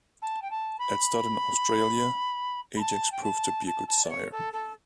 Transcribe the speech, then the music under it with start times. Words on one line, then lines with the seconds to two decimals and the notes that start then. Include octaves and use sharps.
At stud in Australia, Ajax proved to be a good sire.
0.22 A5
0.42 G5
0.51 A5
0.79 B5
2.76 B5
2.80 A5
3.12 G5
3.23 A5
3.67 A5
3.88 A5
4.04 D5
4.09 C#5
4.32 A4
4.53 A4